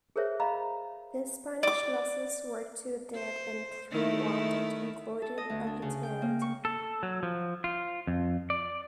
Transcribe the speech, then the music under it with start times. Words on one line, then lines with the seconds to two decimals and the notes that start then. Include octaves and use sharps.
The Spanish losses were two dead and three wounded, including a lieutenant.
0.16 G#4 A#4 C5 C#5 E5
0.40 D#5 F5 A#5 B5
1.63 D5 D6
3.15 C5
3.91 D#3 A3 E4
5.22 A4
5.38 D#5
5.50 D2
5.67 D4
5.82 C#3
6.03 G5
6.22 A#3
6.42 C#6
6.65 A4
7.03 F#3
7.23 F3
7.64 F4
8.07 F2
8.50 D5